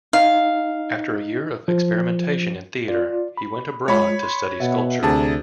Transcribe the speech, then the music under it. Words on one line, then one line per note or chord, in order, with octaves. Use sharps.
After a year of experimention in theatre, he went abroad to study sculpture.
D#4 F5
F3
F4 D5
B5
G#3 F4 C#5 B5
C6
B2 E5 F#5
D2 C3 G#4 A5